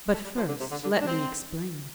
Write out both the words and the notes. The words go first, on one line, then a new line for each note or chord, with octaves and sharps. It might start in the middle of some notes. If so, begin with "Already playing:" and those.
But first, let me explain.
A3
G3
F3
D3
C3
D3
D3
A3
D4
C4